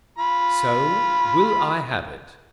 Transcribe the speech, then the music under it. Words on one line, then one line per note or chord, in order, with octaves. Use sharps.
So will I have it.
F4 B5